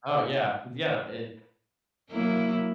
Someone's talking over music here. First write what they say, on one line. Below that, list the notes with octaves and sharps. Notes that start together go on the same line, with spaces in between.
Oh, yeah, is yeah, i
F#3 A#3 E4